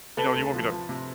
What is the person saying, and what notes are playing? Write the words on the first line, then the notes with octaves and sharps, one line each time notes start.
you know, "you want me to
C3 A4 B4
D2
F3
F3
C3